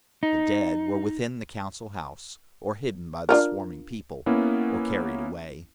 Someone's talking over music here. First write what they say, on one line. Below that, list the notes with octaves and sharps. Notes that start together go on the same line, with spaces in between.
The dead were within the Council House, or hidden by the swarming people, or carried away.
D#4
D4 F4 A#4
A#3 B3 C#4 E4